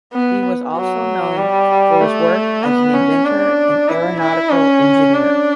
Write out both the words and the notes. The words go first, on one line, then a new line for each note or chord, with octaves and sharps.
He was also known for his work as an inventor and aeronautical engineer.
B3
F#3
G3
A3
B3
C#4
D4
E4
E4
C#4
D4